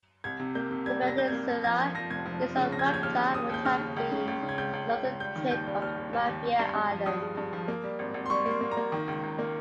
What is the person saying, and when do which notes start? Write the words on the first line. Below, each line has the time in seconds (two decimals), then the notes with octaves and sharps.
The peninsula east of Rhapta would have been the northern tip of Mafia Island.
0.24 C2 G#6
0.40 C3
0.55 A#3 G6
0.71 C3
0.86 G3 G#6
1.02 C2 A#6
1.17 C3 G6
1.28 A#3 G#6
1.48 F2
1.64 F3 G#6
1.79 F3 G#6
1.95 F3 A#6
2.10 F1 G#6
2.25 F3
2.41 F3
2.57 C#3
2.72 F3 A#6
2.79 G#6
2.86 D#2 G6
2.94 G#6
3.03 D#2 F6
3.19 C#3
3.34 D#2 D#6
3.50 D#2 G6
3.65 C#3 F6
3.81 C#3
3.96 C#2
4.12 C#3
4.28 C#2
4.42 C#3
4.49 G#6
4.58 C#2 G6
4.73 C#2
4.90 C#2
5.05 C#2
5.20 G3 G6
5.36 D#3
5.51 D#2 G6
5.66 G3
5.82 D#2 F6
5.98 D#2
6.13 D#2
6.29 D#2
6.45 G1
6.59 G2
6.75 G2
6.91 F3
7.06 G2 D#6
7.22 G#3
7.37 G2
7.53 F3
7.68 A#3
7.83 G3
7.99 G#1
8.14 G#1
8.26 C6
8.30 G3 C#6
8.46 A#3
8.51 C6
8.61 A#3
8.71 A#5
8.77 A#3
8.92 D#3
9.08 C#2
9.23 C#2
9.39 A#3